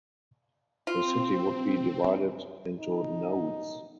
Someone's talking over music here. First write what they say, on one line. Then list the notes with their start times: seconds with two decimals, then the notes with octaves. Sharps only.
The city would be divided into nodes.
0.87 C4 F4
2.80 D#4